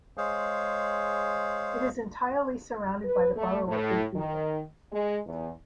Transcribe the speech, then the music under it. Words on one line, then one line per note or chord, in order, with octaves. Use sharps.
It is entirely surrounded by the borough of Big Beaver.
G#3 G#4 C5 C#5 F5
B4
A3
A2
D#3
G#3
E2